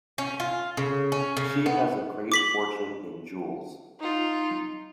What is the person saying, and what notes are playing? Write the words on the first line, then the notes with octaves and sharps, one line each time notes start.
She has a great fortune in jewels.
C#4
F4
C#3
C#4
C#3
B3
D6 B6 F#7
D#4 F4